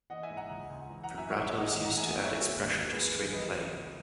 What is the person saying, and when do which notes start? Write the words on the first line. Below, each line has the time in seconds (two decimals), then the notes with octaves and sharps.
Vibrato is used to add expression to string playing.
0.10 E3 D#5 F#5
0.23 E5 G#5
0.30 G#2
0.37 F#5 A#5
0.50 C#2
0.70 C#2
0.90 E3
1.03 F#5 A#5
1.11 F#2
1.17 E5 G#5
1.30 D#2 C#5 E5
1.39 F#5
1.44 C#5 E5
1.51 D#2
1.58 D#5 F#5
1.71 E2 D#5 F#5
1.85 F#5 A#5
1.91 E2
1.97 E5 G#5
2.12 D#2
2.25 C#5 E5
2.32 D#2
2.38 F#4 A#4
2.52 D#2
2.72 D#2
2.92 E3 G#4 B4
3.13 F#2
3.32 E2 B4 D#5
3.52 E2
3.72 C#2